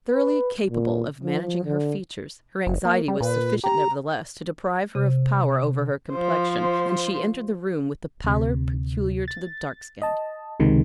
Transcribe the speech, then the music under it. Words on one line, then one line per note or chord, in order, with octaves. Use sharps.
Thoroughly capable of managing her features, her anxiety was sufficient nevertheless to deprive her of power over her complexion, and she entered the room with the pallor peculiar to the dark-skinned.
B4
A#2
F3
D3
F#1
A#3
G3
A#2 B4
G4 A#5
C3
F3 C5
D2 C3
A6
D#5 A5
C#2 C3 D#3 G#3